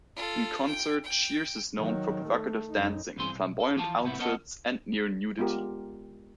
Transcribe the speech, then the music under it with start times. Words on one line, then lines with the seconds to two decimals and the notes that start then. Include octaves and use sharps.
In concert, Shears is known for provocative dancing, flamboyant outfits, and near nudity.
0.16 F4 A4
0.67 G5
1.04 G5
1.78 D#3 F#3
2.25 A3
2.70 F#2 D#4
3.17 G2 E3 C4 G#4 C6
3.34 B1
3.60 A4
3.76 E3 F3 F4 G4 A5
4.03 A2 C3 B3 C4 E4
4.19 B3 A#4 C5 D#5 F#5 A5
5.38 G#3 B3 F4 G4 A#4